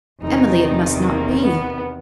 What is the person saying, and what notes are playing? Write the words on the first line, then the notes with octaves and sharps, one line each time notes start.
"Emily, it must not be."
E2 C3 D#3 D#4
A#3
B3